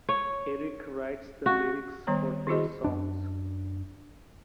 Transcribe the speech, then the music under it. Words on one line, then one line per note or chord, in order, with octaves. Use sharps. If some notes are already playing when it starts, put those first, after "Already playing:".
Eric writes the lyrics for their songs.
C#5
F#4
D#3 G3 B3 C#5 A#5
D#3 E4 F#4 G#4 D#5
F#2 D4